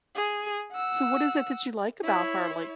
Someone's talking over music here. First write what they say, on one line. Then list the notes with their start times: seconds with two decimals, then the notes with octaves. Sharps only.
So what is it that you like about her? Like,
0.16 G#4
0.72 F#5 E6
2.04 E4 C#5